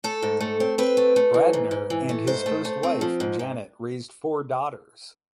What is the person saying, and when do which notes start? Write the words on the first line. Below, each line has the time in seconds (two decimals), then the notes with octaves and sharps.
Bradner and his first wife Janet raised four daughters.
0.04 A3 A4
0.22 G#2
0.40 A3
0.60 C4
0.78 C4 B4
0.97 A3
1.16 A3
1.34 E3
1.53 G#2
1.71 G#2
1.90 E3
2.09 A3
2.27 G#2 C5
2.46 A3
2.65 A3
2.83 C4
3.01 F3
3.20 G#2
3.39 G#2